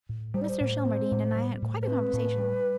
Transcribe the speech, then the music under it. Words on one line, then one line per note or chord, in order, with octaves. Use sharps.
Mr. Shelmardine and I had quite a conversation.
A2
G3 C5
D5
C5
A2
C4
A2
G3
A2
C5
C4 B4
A2
G3